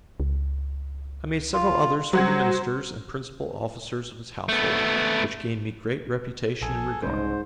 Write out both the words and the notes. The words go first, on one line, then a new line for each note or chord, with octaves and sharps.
I made several others for the ministers and principal officers of his household, which gained me great reputation and regard.
C#2
F4
F#3 G3 C5 F#5 G#6
A3 B3
A#1 G#4 A4
C2 G#2 C#3 C5